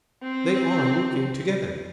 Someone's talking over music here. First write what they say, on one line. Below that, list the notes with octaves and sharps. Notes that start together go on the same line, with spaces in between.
They are working together.
C4